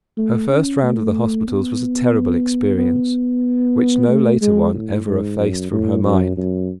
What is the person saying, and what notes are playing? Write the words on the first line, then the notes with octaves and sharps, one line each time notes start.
Her first round of the hospitals was a terrible experience, which no later one ever effaced from her mind.
A3
C#4
A3
B3
B3
A3
G#3
A2
G#2
F#2
A2
F#2
F#2